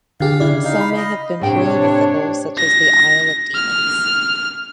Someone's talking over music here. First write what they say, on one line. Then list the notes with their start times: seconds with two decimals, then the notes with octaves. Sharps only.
Some may have been purely mythical, such as the Isle of Demons.
0.20 D3 G4 G#4 F5
0.40 C#3 E4 D5
0.64 D#4 F5
0.81 B5
0.96 D#5
1.41 A2 C3 D4 C#5 G5
2.58 A#6
3.55 F6